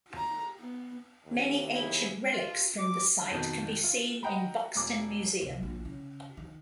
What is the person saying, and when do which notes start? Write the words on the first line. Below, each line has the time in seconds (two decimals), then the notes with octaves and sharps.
Many ancient relics from the site can be seen in Buxton Museum.
0.16 A#5
0.58 B3
1.25 D#2
1.74 E4 G#4
2.32 F4
2.79 D6
3.31 F2 B2 D#3
3.84 F4
4.23 D#5 F#5 G5 A#5 B5
4.75 E1 D6
5.41 C2
5.63 A#1
5.85 C#3
6.37 D#3